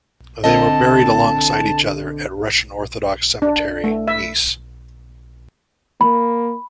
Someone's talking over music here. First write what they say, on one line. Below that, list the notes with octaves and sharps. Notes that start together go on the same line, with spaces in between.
They were buried alongside each other at Russian Orthodox Cemetery, Nice.
D3 C4 D#5 A5
D4
A3
E5
A#3 B5